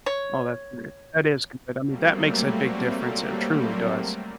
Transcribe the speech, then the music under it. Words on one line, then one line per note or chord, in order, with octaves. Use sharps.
Oh, that's great. That is good, I mean, that makes a big difference, it truly does.
C#5
F#3 G3 A3 A#3 C4